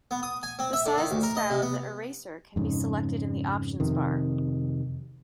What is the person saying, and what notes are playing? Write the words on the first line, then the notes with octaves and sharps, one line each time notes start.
The size and style of the eraser can be selected in the options bar.
B3
D#6
G#5
C4
E5
D3
D#3
D2
A#4
D#5
C3
B3
F2 G#2 C#3
F2 C3 D#3